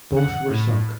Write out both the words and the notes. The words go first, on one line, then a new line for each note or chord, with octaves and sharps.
Both were sunk.
F#5
A2